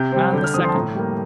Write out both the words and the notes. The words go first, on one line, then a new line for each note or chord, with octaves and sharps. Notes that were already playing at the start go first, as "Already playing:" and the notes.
Man the second.
Already playing: C3 G6
G3 C4
D3 G6
F6
F3 C4 D#6
C6
A5
A2 A#5
G3 A#3